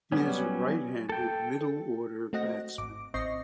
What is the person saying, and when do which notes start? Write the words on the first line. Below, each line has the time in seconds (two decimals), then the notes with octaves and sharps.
He is a right-handed middle-order batsman.
0.12 F#3 G3 B3 C#4
1.09 A4 G5
1.61 A4
2.33 A3 C4 F#4 D#5 F#5 A#6
2.78 G#1 D6
3.14 A1 C4 D#5 C#6 A#6 C7